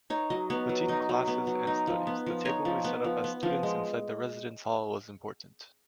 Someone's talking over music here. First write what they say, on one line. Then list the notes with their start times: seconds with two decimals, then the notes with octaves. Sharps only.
Between classes and studies, the table we set up as students inside the residence hall was important.
0.10 D#4 C#5
0.30 F#3 D#5
0.50 B3 C#5
0.69 F#3
0.88 D#4 D#5
1.09 F#3
1.27 B3
1.47 F#3
1.67 D#4
1.87 F3
2.07 B3
2.26 F3
2.45 D#4 C#5
2.65 F3
2.84 B3
3.04 F3
3.24 B3
3.43 F3
3.63 G#3